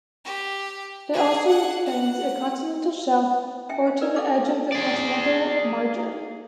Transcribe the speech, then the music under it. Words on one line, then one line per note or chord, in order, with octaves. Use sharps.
It also claims a continental shelf, or to the edge of the continental margin.
G4
G#4
F#5
F#5
C#4 E5 G5 G#5
C5
A#4 B4 D5
A4 D6
G#4 D5